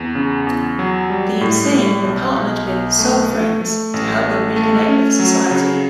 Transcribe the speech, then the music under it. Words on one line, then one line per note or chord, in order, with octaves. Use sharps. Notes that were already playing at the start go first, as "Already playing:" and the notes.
The insane were partnered with "soul friends" to help them reconnect with society.
Already playing: E2
C#3
E2
F#3
G3
A2
G3
B1
B1
B1
A3
A3
A3
A1
A3
A3
C#4
F#3
C#3